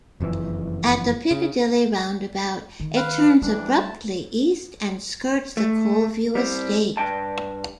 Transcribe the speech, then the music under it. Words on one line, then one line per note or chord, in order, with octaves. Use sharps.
At the Piccadilly roundabout it turns abruptly east and skirts the Coleview Estate.
F#1 F2 C3 E3
C#3
D#3
B4 F5
F2 E3 G3 D4
A3 A5
A3
G3 C4
G2 G5 A5